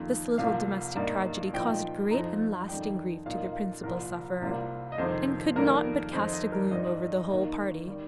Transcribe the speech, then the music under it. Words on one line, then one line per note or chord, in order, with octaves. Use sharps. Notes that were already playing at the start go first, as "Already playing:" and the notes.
This little domestic tragedy caused great and lasting grief to the principal sufferer, and could not but cast a gloom over the whole party.
Already playing: F2 D#3 A#3 F4
C2 C3 F3 A#3 F5
G2 G3 A#3 D#4
A#2 F3 D#4 G5
F2 F3 C4 D#4 A#5
F2 D#3 G3 D#4 G5
A#2 A#3 D#4 F5
D#5
F5
C2 A#2 F3 A#4
C2 C3 G3 A#3 F4
D#5
F2 C3 D#3 C4 C5
F2 D#3 G3 A#3 A#4
F2 D#3 C4 D#4 C5
D#5
A#4
G2 G3 C4 D#4 D#5
D#2 D#3 A#3 D#4
D#3 G3 D#4